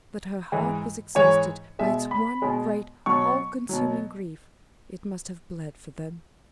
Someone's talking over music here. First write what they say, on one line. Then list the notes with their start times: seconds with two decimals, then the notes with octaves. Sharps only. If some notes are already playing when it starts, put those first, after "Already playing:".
But that her heart was exhausted by its one great, all-consuming grief, it must have bled for them!
0.52 G#2 E3 G#3
1.15 G#2 E3 G#3 C#5
1.79 B2 G#3 E5
2.11 B5
2.42 B2 G#3
3.06 B2 F#3 C#6
3.69 B2 F#3